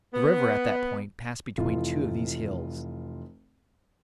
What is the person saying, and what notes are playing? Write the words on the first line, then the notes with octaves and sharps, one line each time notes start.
The river at that point passed between two of these hills.
B3
F1 E3 F4